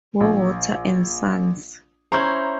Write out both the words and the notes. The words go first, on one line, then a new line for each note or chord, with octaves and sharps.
Bowater and Sons.
A#1
C#4 E4 C5 A#5 C#6 G6